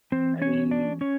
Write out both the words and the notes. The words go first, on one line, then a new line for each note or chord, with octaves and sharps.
I mean
E3 C4 C5
C#4 C#5
C#4
D4 D5
C#4 C#5